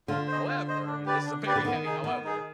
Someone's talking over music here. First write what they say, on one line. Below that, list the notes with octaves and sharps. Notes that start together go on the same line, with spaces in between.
however, and this is a very heavy however,
D3 F4
C5 D#5
F4
C5 D#5
D4
G4 B4 D5
D4
G4 B4 D5
D3
D#3 B3
D#4 G#4
D#3 B3
D#4 G#4